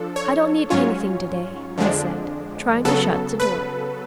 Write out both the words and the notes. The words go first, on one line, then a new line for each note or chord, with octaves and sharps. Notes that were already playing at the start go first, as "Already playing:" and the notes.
"I don't need anything to-day," I said, trying to shut the door.
Already playing: F3 D4 A4
C#5
G#2 F#3 C#4 F4 C#5
F2 D3 F3 G#3 D4
C#3 F#3 B3 A4
B4